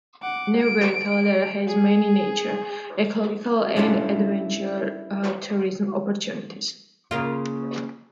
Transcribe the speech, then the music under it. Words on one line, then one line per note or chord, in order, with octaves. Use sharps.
Newberry Caldera has many nature, ecological, and adventure tourism opportunities.
F#5 D6
D7
G#4
G3 C#4 D4 E4 F4 A4
C#3 A#3 F4